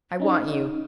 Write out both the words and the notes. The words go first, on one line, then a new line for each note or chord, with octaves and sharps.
I want you.
C#4 D#4